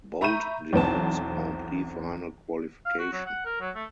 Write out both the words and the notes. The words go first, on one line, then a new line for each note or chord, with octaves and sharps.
Bold denotes Grand Prix Final qualification.
E5 A#5 B5 C#6 G6 D#7
B1 E2 C4 A5
F5
F#4
F#3
F#5
A#4
F#3
A3